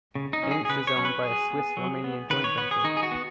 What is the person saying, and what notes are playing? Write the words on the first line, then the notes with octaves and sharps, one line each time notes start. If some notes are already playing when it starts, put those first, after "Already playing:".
Angst is owned by a Swiss-Romanian joint venture.
C#3
D#4
F#3 C#4
G#4
G#4
C#3 B4
C#5
F#3 C#4
B4
F#3 G#4
B3
F#3
B3
D#3 B4
C#5
B3 B4
G#4
D#3 D#4
G#4
F#4
B3